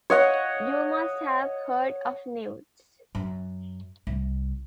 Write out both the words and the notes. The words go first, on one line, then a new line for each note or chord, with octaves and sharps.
You must have heard of newts.
C#5 D#5 F#5
F#2
C2